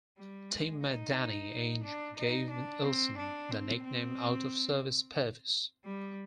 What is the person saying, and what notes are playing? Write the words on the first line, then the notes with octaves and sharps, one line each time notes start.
Teammate Danny Ainge gave Ellison the nickname Out of Service Pervis.
G3
G#3
D#4
D4
D#4
D4
C4
D4
C4
C4
G3